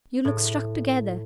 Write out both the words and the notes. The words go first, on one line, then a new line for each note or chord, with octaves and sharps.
You look struck together.
A2